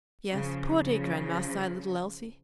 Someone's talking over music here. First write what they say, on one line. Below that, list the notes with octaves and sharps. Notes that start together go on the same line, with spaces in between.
"Yes, poor dear grandma!" sighed little Elsie.
C#3 F3
C#3 F3